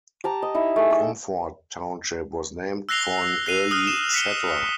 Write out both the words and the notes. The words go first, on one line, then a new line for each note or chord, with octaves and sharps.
Comfort Township was named for an early settler.
G4 A5 A#5
D#5
D#4 E4 E5
A3 G#4
A4
E6 F#6 A#6 C7 F7 G7
F#6 C7 D#7 F7
D#6 F6 F#6
E7
B6 C#7 G7